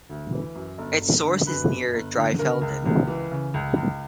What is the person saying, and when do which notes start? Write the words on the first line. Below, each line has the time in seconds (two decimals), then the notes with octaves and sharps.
Its source is near Dreifelden.
0.09 D2
0.32 E3
0.55 F#2
0.78 G1
1.01 G1
1.25 D3
1.47 F#2 B4
1.70 G1
1.94 G1
2.16 D3
2.39 C#3 A#4
2.61 C#2
2.86 C#2
3.07 E3
3.31 C#3
3.54 C#2
3.76 C#2